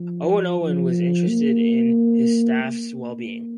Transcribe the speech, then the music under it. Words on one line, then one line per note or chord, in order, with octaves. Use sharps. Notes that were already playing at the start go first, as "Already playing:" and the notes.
Owen Owen was interested in his staff's well-being.
Already playing: F3
F3
A#3
A#3